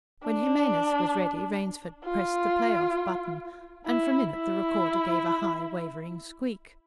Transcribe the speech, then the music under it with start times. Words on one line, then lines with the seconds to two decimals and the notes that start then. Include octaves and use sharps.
When Jimenez was ready, Rainsford pressed the play-off button, and for a minute the recorder gave a high, wavering squeak.
0.24 D4
2.05 F4
3.86 E4
4.31 E4